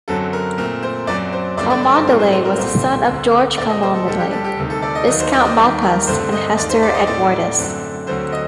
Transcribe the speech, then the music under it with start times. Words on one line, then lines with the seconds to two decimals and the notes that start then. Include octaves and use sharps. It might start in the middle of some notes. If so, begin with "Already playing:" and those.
Cholmondeley was the son of George Cholmondeley, Viscount Malpas, and Hester Edwardes.
0.08 F#2 D3 F#3 C4 A4
0.33 A#4
0.58 A#2 A3 C4 A#4
0.83 C5
1.07 F#2 F#3 C4 D5
1.33 C5
1.57 G2 D3 A3 C4 D5
1.70 D5
1.83 D5
1.95 C5
2.07 A2 F#3 A3 C4 A#4
2.20 C5
2.32 C5
2.45 A#4
2.57 C2 A#2 A3 C4 C5
3.07 D2 D3 A3 C4
3.57 A#2 A3 C4 D5
3.69 D#5
3.83 C5
3.95 A4
4.08 D2 D3 G3 A4
4.20 G4
4.32 A4
4.44 G4
4.57 D2 C3 D#3
4.70 A4
4.82 D5
4.95 D#5
5.07 D#2 D#3 F#3 D#5
5.20 C5
5.32 D5
5.45 D#5
5.57 D#2 D#3 G3 D5
5.82 A#4
6.07 G2 D3 A3 C4 C5
6.32 D#5
6.57 D#2 D#3 A3 D5
6.69 C5
6.83 D5
6.94 D#5
7.07 A2 A3 C4 D5
7.57 F#2 D3 A3 C4
8.07 D2 D3 F#3 A3 C4 C5
8.32 D#5